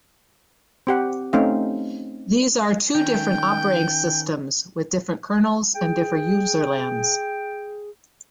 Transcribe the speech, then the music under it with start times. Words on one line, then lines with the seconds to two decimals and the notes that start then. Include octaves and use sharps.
These are two different operating systems with different kernels and different userlands.
0.87 C4 G4 F#5
1.33 A3 C4 C#4 D#4 F5
2.95 D#3 C#4 G5
5.75 G#4 G5